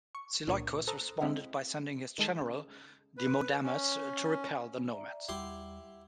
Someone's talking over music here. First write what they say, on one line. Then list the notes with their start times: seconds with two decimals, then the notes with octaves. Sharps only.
Seleucus responded by sending his general Demodamas to repel the nomads.
0.15 C#6
0.47 C#2 A#2 D4 A#4 C#5 D#6
0.87 A4 C5 A#5 D#6 F#6
1.21 G#3 C4 E4 D#5 F5
2.18 D#3 G#3 A4
2.41 C#3
3.17 B4
3.63 C#4
4.90 D5 E5 A#5
5.29 D#2 G3 E4 G4 F#5 C6